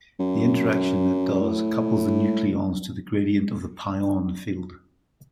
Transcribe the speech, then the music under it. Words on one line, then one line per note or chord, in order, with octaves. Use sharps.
The interaction that does couples the nucleons to the "gradient" of the pion field.
F#2
A2